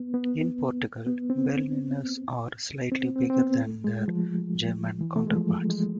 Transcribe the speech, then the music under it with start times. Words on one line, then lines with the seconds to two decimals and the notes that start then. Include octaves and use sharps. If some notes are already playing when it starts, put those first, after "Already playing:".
In Portugal, Berliners are slightly bigger than their German counterparts.
Already playing: B3
0.14 B3
1.07 B3
1.30 C4
2.92 C4
3.16 C4
3.30 C4
3.39 B3
3.62 A3
3.84 G#3
4.08 F3
5.01 E3
5.16 A3
5.27 G#3
5.36 F3
5.70 G#3